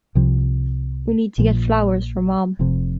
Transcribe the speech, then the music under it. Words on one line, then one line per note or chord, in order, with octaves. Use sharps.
We need to get flowers for Mom.
C2 C3 F3
A#1 A#2 F3
F1 F2 C3